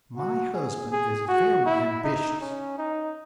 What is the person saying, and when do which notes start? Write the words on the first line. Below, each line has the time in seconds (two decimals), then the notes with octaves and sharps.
My husband is very ambitious.
0.16 F#4
0.54 G#4
0.92 G#4
1.28 F#4
1.66 E4
2.04 D#4
2.41 C#4
2.78 D#4